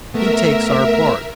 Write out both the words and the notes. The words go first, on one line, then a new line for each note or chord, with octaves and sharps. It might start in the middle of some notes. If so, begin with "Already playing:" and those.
He takes our part.
A3 B3 A#4 E5